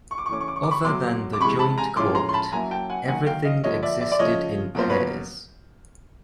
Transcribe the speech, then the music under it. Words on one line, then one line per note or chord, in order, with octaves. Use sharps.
Other than the Joint Court, everything existed in pairs.
C#6
D6
C#6
E3 A3 C#4 D6
C#6
D6
C#6
D6
B5 C#6
B2 F#3 A3 C6 D6
D6
C3 E3 G#3 B5 C#6
A5 B5
G#5 A#5
A2 F3 G#3 C#4 F4 C6 D6
A#5 C6
C6
A5 B5
F#3 A#3 C#4 E4 G#5 A#5
G5 A5
F#5 G#5
D#3 F#3 A#3 D#4 F#5 G#5
F5 G5
D#5 F5
D3 F3 A#3 C#5 D#5
D5 E5
D5 E5
D5
C#3 F3 A3 C#5 D#5
B2 F#3 A#3 C#4 F4 C5
B4 C#5